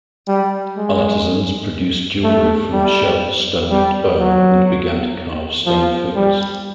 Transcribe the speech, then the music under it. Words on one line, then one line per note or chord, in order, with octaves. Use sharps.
Artisans produced jewelry from shell, stone, and bone, and began to carve stone figures.
G3
G#3
A3
G3
G3
F#3
F3
G3